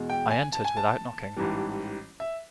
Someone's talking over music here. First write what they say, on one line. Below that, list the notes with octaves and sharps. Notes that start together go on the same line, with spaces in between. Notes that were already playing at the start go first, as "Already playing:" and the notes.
I entered without knocking.
Already playing: E2 B2 G#3
G5
G#5
A5
G#5
A5
A1 G#2 E3 G3
E5